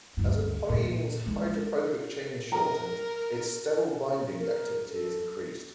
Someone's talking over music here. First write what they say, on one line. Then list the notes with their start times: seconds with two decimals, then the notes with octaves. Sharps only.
As a polyene's hydrophobic chain is shortened, its sterol binding activity is increased.
0.17 D2 G2
0.69 A#2 D#3
1.26 G#3 C#4
2.52 A#4 A#5
4.39 A#4
4.89 A4